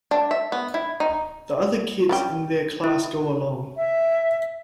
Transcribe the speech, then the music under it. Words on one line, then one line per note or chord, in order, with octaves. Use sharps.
The other kids in their class go along.
D4
E5
B3
E4
D#4
G3 C#4 G4
E4
E5